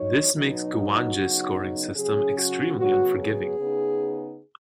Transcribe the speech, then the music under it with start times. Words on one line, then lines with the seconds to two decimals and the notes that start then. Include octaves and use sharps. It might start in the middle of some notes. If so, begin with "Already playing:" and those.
This makes Guwange's scoring system extremely unforgiving.
Already playing: F#3 D#4 C#5
0.32 B2 F#3 B3 D#4
0.73 F#4
1.14 C#3 F#3 B3 D#4
1.95 C#3 F#3 C#4 G#4
2.37 F#4
2.76 C#3 F#3 B3 F#4
3.17 G#4
3.58 C#3 B3 D#4